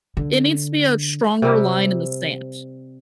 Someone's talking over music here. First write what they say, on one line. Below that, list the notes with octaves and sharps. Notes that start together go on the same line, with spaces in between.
It needs to be a stronger line in the sand.
D3
C3 G3